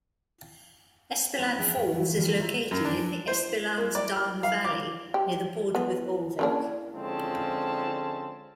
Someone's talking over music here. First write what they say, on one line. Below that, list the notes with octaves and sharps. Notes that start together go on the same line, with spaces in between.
Espeland Falls is located in the Espelandsdalen valley near the border with Ulvik.
C4 E4 A#4 G#5 A#5
F3 D4 G#4 E5 G5
A2 F#3 A3 A#3 F#5
D2 E3 E4
D3 E3 F3 G3 A#3
D#2 F4 C#5 E5 A#5
F#2
D4
C5
A#3
D5
F6
F5
D6
G4
B3
C#3 A#3 D4
D3 F3 G#3 C4 C#4 A5